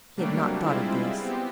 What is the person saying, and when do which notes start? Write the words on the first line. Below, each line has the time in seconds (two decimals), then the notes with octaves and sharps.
He had not thought of this.
0.16 C3 F#3 G3 A3 A#3 D4
0.61 G3 G#3 C4 E4 F4
1.20 B3 C4 G4